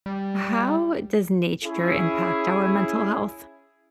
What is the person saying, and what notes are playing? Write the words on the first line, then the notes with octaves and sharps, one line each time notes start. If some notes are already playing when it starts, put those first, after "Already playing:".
How does nature impact our mental health?
G3
C#4 E4 G#4